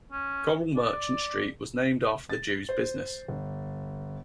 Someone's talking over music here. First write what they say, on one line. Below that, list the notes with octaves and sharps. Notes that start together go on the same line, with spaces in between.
Coral Merchant Street was named after the Jews' business.
C#4
D5
A6
C5
G1